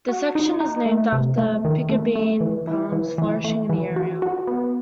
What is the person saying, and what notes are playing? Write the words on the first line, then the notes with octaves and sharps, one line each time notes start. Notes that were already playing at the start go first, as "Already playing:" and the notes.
The section is named after the piccabeen palms flourishing in the area.
F#4
D#4
D#4
A3
C3
A3
D#3
A3
A3
E3
E3
E3
E3
A3
E3
F#4
F#4
B3